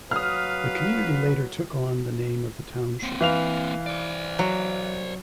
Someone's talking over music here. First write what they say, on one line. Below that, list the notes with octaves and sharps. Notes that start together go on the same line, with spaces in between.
The community later took on the name of the township.
F#3 B4 F5 D#6 F6
A#3 C4
E3 F5 F7
C5 D5
F#3